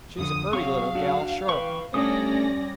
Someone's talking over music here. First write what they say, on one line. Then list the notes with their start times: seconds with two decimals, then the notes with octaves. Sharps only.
"She's a purty leetle gal--shore."
0.18 F2 D3 D#6
0.53 F#3 C4 F#4 G#4 C#5 F5 C#6
0.95 D4 F#4
1.49 E3 B4 G5 C#6
1.94 G3 A3 C#4 D4 G4 D5 D#6 A#6